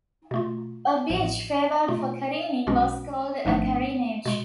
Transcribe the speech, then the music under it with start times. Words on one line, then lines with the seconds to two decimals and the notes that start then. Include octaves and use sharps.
A beach favoured for careening was called a careenage.
0.31 B2 A3 F4
1.09 A1 A2 F3
1.88 B2 A3 F4
2.67 B1 B2 G#3 C#4 F#4
3.45 G#1 G#2 F3 A3 D4
4.25 B2 G#3